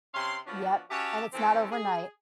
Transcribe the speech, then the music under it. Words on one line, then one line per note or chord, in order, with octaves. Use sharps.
Yep, and it's not overnight.
C3 C#4 F5 C6
F3 B3 C#4 D4 F#4
C#4 F#4 G4 E5 A5
E3 F3 C4 C#4 G4 A4
G#4